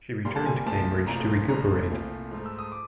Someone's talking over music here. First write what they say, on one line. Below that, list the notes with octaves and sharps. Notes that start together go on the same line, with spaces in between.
She returned to Cambridge to recuperate.
A#2 G3 A#3 C6
A5
G#5
C2 A#2 F3 A3 A5
C2 A#2 F3 A3 A#5
C2 A#2 F3 A3 A#5
C2 A#2 F3 A3
G#2 F3 A3
E6
D#6
D6